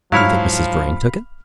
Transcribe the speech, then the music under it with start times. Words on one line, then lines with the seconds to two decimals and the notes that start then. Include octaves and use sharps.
"Do you think Mrs. Vrain took it?"
0.12 G#2 F3 F#3 E4 C#5 F5 B5 F6